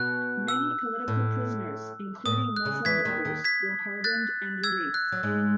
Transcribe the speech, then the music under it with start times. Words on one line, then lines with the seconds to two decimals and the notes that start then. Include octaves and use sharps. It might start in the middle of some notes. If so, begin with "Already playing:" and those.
Many political prisoners, including Muslim Brothers, were pardoned and released.
Already playing: B2 F#6
0.48 E6
1.08 A2
2.26 A2 D#6
2.56 F#6
2.65 C#3
2.85 E2 E3 G#6 B6
3.05 D#2 D#3
3.25 D#2 D#3
3.44 G#6 B6
4.04 F#6 A6
4.64 E6 G#6
4.94 F#6
5.12 F#3
5.23 G#2 G#3